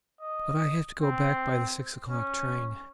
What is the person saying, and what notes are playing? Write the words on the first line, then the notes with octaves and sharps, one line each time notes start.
But I have to go back by the six o'clock train.
D#5
C4
C#4